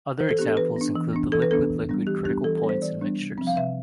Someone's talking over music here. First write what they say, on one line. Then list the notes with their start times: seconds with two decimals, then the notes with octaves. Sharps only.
Other examples include the liquid-liquid critical points in mixtures.
0.20 E3 C5
0.29 A4
0.39 B3 D4 G4
0.48 A4
0.57 E3 B4
0.76 B3 D4
0.95 E3
1.13 B3 D4
1.32 E3 A4
1.42 B4
1.51 B3 D4 A4
1.70 E3
1.89 G3 B3 D4
2.07 E3 G4
2.25 G3 B3 D4 G4
2.44 E3 A4
2.58 A4
2.63 G3 B3 D4
2.69 C5
2.82 E3 D5
3.01 G3 B3 D4
3.19 C3
3.38 F3 C4
3.47 F5
3.57 C3 E5